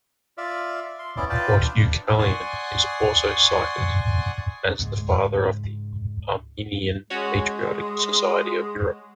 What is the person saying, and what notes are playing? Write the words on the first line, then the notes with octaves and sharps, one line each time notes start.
Portukalian is also cited as the father of the Armenian Patriotic Society of Europe.
F4 D5 E5
C6
B3 C#4 E4 D5
F4 B4 D5 G5 A5
D4
D5 F#5 G#5 C6 C#6 D#6
C#2 G#2 G#3
G#3 C#4 F#4 C#5